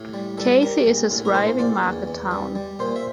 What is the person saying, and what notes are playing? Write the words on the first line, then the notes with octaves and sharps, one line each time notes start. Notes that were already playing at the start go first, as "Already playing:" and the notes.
Kati is a thriving market town.
Already playing: A2 G4
G3
G3 A4
G3 A#4
A#1
A2
A#4
A#1 C5
A#1 D5
E2
E2
G3
G3
A#2 C5
E5